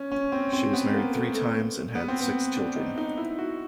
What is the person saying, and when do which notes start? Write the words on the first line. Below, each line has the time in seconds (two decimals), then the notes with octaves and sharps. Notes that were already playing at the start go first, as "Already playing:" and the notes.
She was married three times and had six children.
Already playing: C#4
0.12 C#4
0.32 C4
0.53 C4
0.73 B3
0.94 A#3
1.14 A3
1.35 A3
1.95 B3
2.08 C4
2.20 B3
2.57 D4
2.76 D#4
2.98 D#4
3.17 E4
3.38 F#4